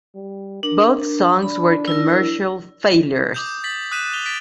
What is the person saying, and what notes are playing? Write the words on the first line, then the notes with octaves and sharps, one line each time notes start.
Both songs were commercial failures.
G3
D4 A#4
D4 B5
E4 A#4
D6 D#6 G6
A6 B6 F#7
D#6 F#6 B6 D#7 E7
A6 F7 G7
A6 B6 D7